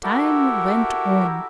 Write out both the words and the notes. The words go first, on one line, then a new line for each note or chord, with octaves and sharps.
Time went on.
E4 F#4 G4 A4 A#4